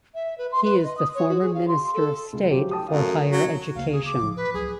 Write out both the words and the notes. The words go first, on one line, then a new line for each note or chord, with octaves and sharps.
He is the former Minister of State for Higher Education.
E5
B4
C6
B4
D#5
D#6
C#5
F#4
G#4
F5
C6
A4
C#2
F3 F#3 G4
G5 A5 D#6
F#2 A3 F5
F#3
D2 C#3 A#3 F5
G#4
D6
A2 F3
B4
C#2 F#3 G#4